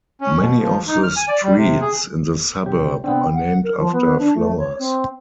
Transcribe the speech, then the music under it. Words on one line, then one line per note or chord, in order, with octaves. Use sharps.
Many of the streets in the suburb are named after flowers.
C#4
B2
F3
D#4
F6
G#5
D5
G3
C3
G#4
C3 G4 G5
C3 B3 C4 D4
F#5
A#4
F3
B3
D4
A3
C#5
C4